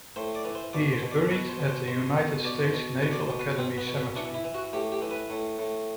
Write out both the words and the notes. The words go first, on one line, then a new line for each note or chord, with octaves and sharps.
He is buried at the United States Naval Academy Cemetery.
A2 C5
D5
E3
C5
B2 D5
C5
B2
D5
B2 B4
C5
B2
C5
B2 C5
B2
B2 D5
C5
B2
B2 B4
D5
C5
B2
B4
B2 C4
B3
B2
B3
E3 D4
E4
E3
F#4
A2 G4
G4
E3
B4
A2
A2